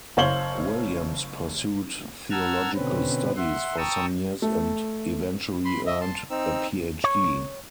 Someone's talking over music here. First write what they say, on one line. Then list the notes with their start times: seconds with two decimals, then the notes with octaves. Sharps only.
Williams pursued theological studies for some years and eventually earned a PhD.
0.17 F#1 C5 C#5 F5 F#7 G7
2.31 F#5 A5 A#5 E6 F6 G#6
2.75 B2 D3 C4 C#4 B4
3.37 E5 F#5 C6
3.78 G5 A5 A#5 C#6 D#6 E6
4.42 A3
5.65 B5 C6
5.86 D#5 E5
6.01 A5 C6
6.30 C4 D#4 E6
7.04 C#5